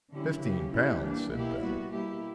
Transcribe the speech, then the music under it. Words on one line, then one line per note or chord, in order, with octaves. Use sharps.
"Fifteen pounds!" said Bell.
D3 F#3 C#4 E4 G4
C#3 F#3 C#4 G4
G3 C#4 E4 G4
E3 G3 A#3 D4
B2 A#3 E4 G4
A#2 G3 B3 F#4
B2 A#3 E4 G4